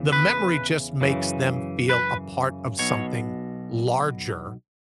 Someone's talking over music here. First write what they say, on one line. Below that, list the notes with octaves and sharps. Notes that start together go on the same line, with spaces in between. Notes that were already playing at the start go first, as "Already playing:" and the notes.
the memory just makes them feel a part of something larger
Already playing: E2 C#3 E3
B4
F#2 C#3 E3
B4
B1 B2 C#5